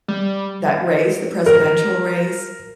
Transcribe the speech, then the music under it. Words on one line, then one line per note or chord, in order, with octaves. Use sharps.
that race the presidential race
G3
A#4